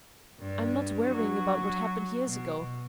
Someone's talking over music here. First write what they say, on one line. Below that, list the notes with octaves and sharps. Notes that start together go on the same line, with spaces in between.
I'm not worrying about what happened years ago.
G2
F#3
B2